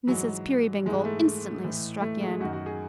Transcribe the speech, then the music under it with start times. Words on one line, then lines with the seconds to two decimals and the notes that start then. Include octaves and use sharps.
Mrs. Peerybingle instantly struck in.
0.07 G#2 E3 F#3
0.86 G#2 E3 G#3
1.05 A3
1.63 A2 E3
2.01 A3
2.21 G#3
2.40 F#2 D#3 F#4
2.53 F#4
2.66 G#4